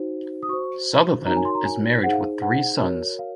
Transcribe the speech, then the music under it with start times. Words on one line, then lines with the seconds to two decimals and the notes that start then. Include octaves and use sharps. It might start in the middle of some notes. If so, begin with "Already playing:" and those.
Sutherland is married with three sons.
Already playing: D#4 F#4 C5
0.43 D#6
0.49 F#4 C5 C#6
1.26 D#4 F#4 A#4 C#5 A#5
1.36 G#5
1.45 C6
1.55 A#5
1.65 G#5
2.03 D#4 G#4 C5 F#5
2.13 F5
2.42 F#5
2.80 F#4 A#4 C#5
3.19 F5